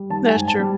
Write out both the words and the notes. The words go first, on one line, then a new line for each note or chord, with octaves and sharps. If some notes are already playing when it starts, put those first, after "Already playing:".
That's true.
Already playing: G3
D#3 A5
G#5
G#2
A5
G3